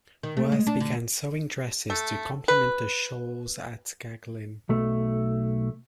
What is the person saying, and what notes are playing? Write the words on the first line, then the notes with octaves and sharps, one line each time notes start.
Worth began sewing dresses to complement the shawls at Gagelin.
D#3
A3
G#3
D4
D3
A3
B4
B1 A3